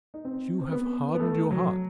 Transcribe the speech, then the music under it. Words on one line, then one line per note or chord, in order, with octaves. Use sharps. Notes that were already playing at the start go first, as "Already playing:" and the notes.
You have hardened your hearts.
D#4
C4
C4
B3
B3
A3
F#3